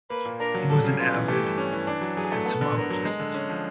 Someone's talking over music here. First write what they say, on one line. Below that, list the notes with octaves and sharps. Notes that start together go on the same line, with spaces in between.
He was an avid entomologist.
A#3 B4
A#2
D4 A#4
F#3
G3 A4
C#3
B3 F4
E3
A3 G4
G2
C#4
E3
D4
F#3
F#3 G#4
A3
B3 A4
D3
D3 A#4
F#3
G#3
D3
C#4
F3